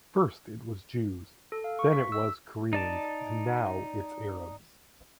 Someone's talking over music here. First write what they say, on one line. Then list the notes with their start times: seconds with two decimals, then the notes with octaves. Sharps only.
First it was Jews, then it was Koreans and now it's Arabs.
1.52 A4
1.64 F5
1.79 C#6
1.93 B6
2.12 E6
2.73 D#4 D5 A5